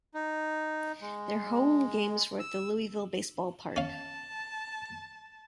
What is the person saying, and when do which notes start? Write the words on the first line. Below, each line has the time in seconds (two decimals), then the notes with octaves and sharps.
Their home games were at the Louisville Baseball Park.
0.14 D#4
1.02 G#3
2.40 E6
3.76 C#4 F5 A5